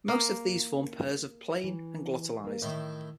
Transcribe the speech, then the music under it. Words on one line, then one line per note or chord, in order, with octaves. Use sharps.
Most of these form pairs of plain and glottalized.
A#3
E3
A#3 A#4
A2 D#3 E4 E5